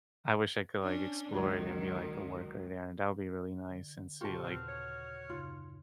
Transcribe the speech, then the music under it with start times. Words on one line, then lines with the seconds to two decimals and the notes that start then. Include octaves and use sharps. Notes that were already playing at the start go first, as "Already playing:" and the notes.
I wish I could, like, explore it and be, like, a worker there, that would be really nice and see, like
0.83 C#4 D4
1.32 C#2 D#3 F#3 D4
3.70 D3
4.21 A#2 C#3 F4 G4 A4 C#5 A5 C#6
4.44 D#2 C4 F#4 B4 C6 F6
4.69 C#5
5.30 F#2 C#3 D#4 F4